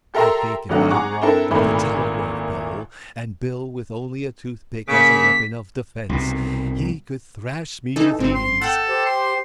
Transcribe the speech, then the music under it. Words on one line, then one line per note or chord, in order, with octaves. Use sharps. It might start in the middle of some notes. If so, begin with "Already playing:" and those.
I think if I were armed with a telegraph pole and Bill with only a tooth-pick as a weapon of defense he could thrash me with ease.
G4 A4 A#4 E5 A#5 C6
G#1 D3 F#3 A3 F#5
G#4 F#5 A#5 C#6 D6 F#6
C4 D4 E4 A4 A#4
G#1 A#2 E3 A3 B5
C#3 A#3 B6
C2 B2
E3 D#4 A4
G#1 C4
C6
A4 F#5 G5
G4 C5
C6